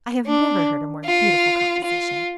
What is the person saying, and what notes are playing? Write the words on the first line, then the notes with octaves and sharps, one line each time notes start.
'I have never heard a more beautiful composition.
D4
F4
F4